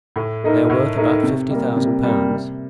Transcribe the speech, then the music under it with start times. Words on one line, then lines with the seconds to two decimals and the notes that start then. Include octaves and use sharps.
They are worth about fifty thousand pounds.
0.16 A2
0.44 A3 D#4 A#4
0.70 A2
0.97 A3 D#4 A#4
1.23 C3
1.50 G3 A#3
1.76 C3
2.03 G3 A#3
2.30 C3